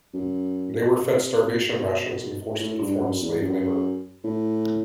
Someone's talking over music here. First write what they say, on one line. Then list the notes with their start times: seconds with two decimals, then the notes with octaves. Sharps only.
They were fed starvation rations and forced to perform slave labor.
0.14 F#2
0.96 C3
1.78 B2
2.60 A2
2.81 G2
3.00 F#2
3.22 E2
3.42 F#2
4.24 A2